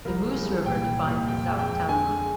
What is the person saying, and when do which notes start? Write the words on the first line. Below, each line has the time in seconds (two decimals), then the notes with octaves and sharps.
The Moose River defines the south town line.
0.05 C2 A#4
0.26 G#3
0.45 C2
0.66 A#2 G5
0.87 C2
1.07 A#2
1.28 F2 G5
1.49 G#3
1.59 G5
1.69 F2
1.89 D3 G#5
2.09 G#3